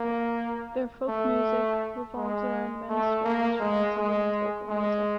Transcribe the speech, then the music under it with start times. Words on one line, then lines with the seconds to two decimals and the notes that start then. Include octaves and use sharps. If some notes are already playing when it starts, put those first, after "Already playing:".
Their folk music revolves around men's string instruments and women's vocal music.
Already playing: A#3
1.09 A3
2.16 G#3
2.89 A3
3.24 A#3
3.60 G#3
3.96 G#3
4.69 G#3